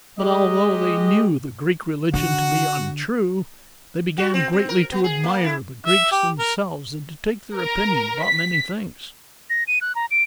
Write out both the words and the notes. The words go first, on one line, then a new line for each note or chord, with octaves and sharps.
But although they knew the Greek religion to be untrue, they began greatly to admire the Greeks themselves, and to take their opinion about many things.
G#3 G4 D#5
D3 F#4 F#5
F#4
C4
C4
A#4
B3
G#4
A#3
E4
E5
G4
A#4
A#4
B6
A#6
D#7
F#6
A#5
D7